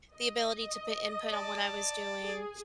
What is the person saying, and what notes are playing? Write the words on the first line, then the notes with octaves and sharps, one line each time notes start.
the ability to put input on what I was doing.
D#5
D5 A5
G#4